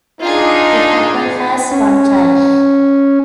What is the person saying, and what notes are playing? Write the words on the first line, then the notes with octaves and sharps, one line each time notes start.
The couple has one child.
D4 D#4 F4 G#4
C#4